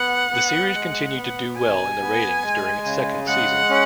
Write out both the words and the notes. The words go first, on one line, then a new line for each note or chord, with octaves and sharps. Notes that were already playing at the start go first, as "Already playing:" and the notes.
The series continued to do well in the ratings during its second season.
Already playing: B3 F#5
B3
G#3
B3
B2 G#5
B3
G#3
C#3
G#3 F#5
C#4